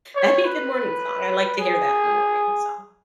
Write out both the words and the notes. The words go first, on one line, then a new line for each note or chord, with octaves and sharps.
that'd be a good morning song. I like to hear that in the morning, so,
C#5
B4
G#4